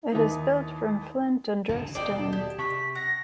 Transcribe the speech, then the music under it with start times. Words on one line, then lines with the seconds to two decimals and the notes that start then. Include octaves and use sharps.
It is built from flint and dressed stone.
0.12 D#2 E3 D#4
1.69 D2 C#3 E3 A5
1.95 D#1 B2 D5 D#5 G5 A5 C7
2.33 G4 D#6 G#6
2.58 C3 A5 C#6 F#6 B6
2.95 F#5 A#6